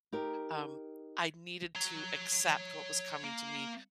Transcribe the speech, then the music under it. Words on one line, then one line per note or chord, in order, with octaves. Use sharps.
um, I needed to accept what was coming to me,
D#4 G4 A#4
C#5 A#5
A#3